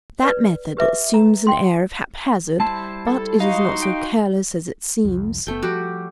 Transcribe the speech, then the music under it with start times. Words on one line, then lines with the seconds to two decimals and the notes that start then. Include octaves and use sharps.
That method assumes an air of haphazard, but it is not so careless as it seems.
0.23 B4 D5
0.77 G4 B4 E5 D6
1.14 A#5
1.47 G5 C6
2.60 G3 E4 C5 A5
3.07 A4
3.40 D#4 F#4 F5 C6
3.82 G5
5.05 C2 F2
5.47 F#1 A3 B3 G5
5.62 F3 G3 F#4 G4